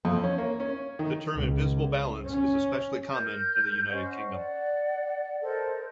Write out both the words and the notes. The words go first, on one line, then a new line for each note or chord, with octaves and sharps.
The term 'invisible balance' is especially common in the United Kingdom.
F2
C#4
A#3
C#4
D#3
C#2
C#4
A#4 F6 G6
C#4 C5 D#5 F#5
D5 F#5
A4 A#4 C5 D#5